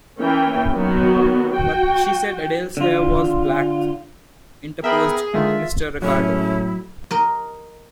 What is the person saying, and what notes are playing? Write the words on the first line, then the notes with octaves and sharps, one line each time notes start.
"But she said Adele's hair was black," interposed Mr. Ricardo.
E3 A#3 C#4 G5
D#3 F#3 B3 F#4
F#4 G5
D3 F4
B3 G#4 A#4 E5 G5 B5
D3 D#3 G#3 F4 E5
D#2 A2 F#3 G#3 C#4 E4
A#4 D#5